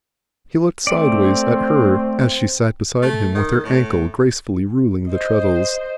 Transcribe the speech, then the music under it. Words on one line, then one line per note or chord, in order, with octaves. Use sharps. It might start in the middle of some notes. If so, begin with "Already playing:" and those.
He looked sideways at her as she sat beside him with her ankles gracefully ruling the treadles.
A3 C4 D5
A3
D#3
A2
C5 D#5